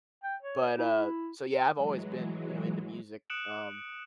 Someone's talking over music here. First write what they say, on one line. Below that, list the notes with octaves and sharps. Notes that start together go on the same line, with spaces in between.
but, uh, so yeah, I've always been, you know, into music, um,
G5
C#5
E4
E3 F#3 G#3
D#6 F#6 C#7 D7 E7 F#7